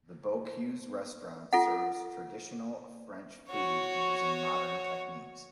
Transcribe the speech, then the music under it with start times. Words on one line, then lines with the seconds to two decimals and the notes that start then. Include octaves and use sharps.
The Bocuse Restaurant serves traditional French food using modern techniques.
1.53 F4 A4 F#5
3.49 F#4 C#5